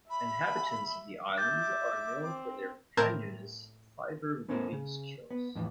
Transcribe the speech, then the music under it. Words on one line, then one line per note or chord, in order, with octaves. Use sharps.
Inhabitants of the islands are known for their pandanus fiber weaving skills.
E5 B5
E5 D6 G6 A6
C4
A2 C4 A#4 A5 G6 G#6
B3 C#4 A4 A#4 C5
C#3
B3
F2 A2 D#3 E3